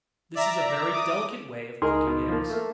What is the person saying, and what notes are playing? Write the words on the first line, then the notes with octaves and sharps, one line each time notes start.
This is a very delicate way of cooking eggs.
D5 E5 A#5
D6 D#6
C#2 D#4 G#4 A#4 D#5 C6
B2
F3 A#3
A3 A#3